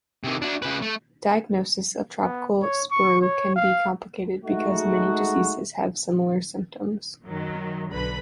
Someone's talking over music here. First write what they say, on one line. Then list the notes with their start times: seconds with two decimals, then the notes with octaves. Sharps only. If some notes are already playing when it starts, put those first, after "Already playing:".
Diagnosis of tropical sprue can be complicated because many diseases have similar symptoms.
0.24 C3 D#3
0.42 D4 F#4
0.62 C#3 B4
0.82 A3
2.23 B3
2.62 C#5
2.91 C#6
3.22 C#5
3.56 F5
4.45 G#3 A3 D#4 F#4
7.26 F#2 D#3 F#3
7.90 B1 D3 B4 B5